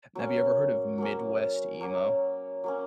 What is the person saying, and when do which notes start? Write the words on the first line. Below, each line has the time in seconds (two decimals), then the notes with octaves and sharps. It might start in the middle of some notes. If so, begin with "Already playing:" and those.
Have you ever heard of Midwest emo?
0.15 F#3 A#3 C#4
0.98 F#3 A#3 C#4
1.81 F#3 A#3 C#4
2.64 F#3 A#3 C#4